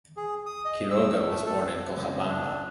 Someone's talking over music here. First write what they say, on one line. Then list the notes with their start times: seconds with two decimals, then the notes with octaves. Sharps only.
Quiroga was born in Cochabamba.
0.17 G#4
0.46 D#6
0.65 D#5
0.90 E6
1.26 A3
1.46 A4
1.97 C#2
2.28 D4